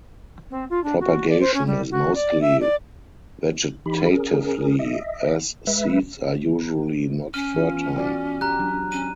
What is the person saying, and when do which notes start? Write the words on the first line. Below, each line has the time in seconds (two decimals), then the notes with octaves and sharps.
Propagation is mostly vegetatively as seeds are usually not fertile.
0.50 C4
0.69 F4
0.83 D4
1.00 F#4
1.29 D5
1.40 C5
1.53 C#4
1.66 G3
1.91 F#4
2.15 D5
2.41 E5
2.60 D5
3.86 E3 D#4 G4 B5
4.09 C#4 G#4 A#4
4.79 D#5 E5
5.67 G#3 B4 E5
7.34 C#4 F6 D#7
7.54 E3 B3 F4
7.98 F#4 D5
8.41 G4 A#5 F#6
8.59 F#3 D4
8.92 C#4 D#7